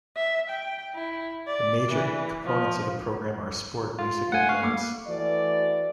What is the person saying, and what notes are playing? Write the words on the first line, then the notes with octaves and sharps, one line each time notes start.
The major components of the programme are sport, music and the Arts.
E5
G5
E4
D5
E3
F3
F4
A3 F5 F#5 G#5
F5 C#6
A3 A#3 D6
E3 A3 F#4 D5